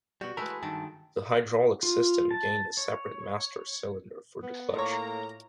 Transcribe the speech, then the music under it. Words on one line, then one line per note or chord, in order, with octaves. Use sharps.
The hydraulic system gained a separate master cylinder for the clutch.
B2 G3 F#4
G#3 A3 E4 A#4 B4
G2 D#3 A5
F4
A5
C#5
B3
A2 F3 A#3 C#5 A#5